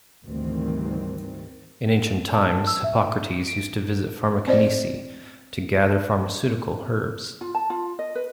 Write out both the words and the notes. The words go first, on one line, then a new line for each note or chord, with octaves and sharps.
In ancient times, Hippocrates used to visit Farmakonisi to gather pharmaceutical herbs.
D2 G#2 D#3 E3 G3 C4
A5
E6
E5
D7
C4 C5 D5 D#5
F4
A5
F4
D#5
B4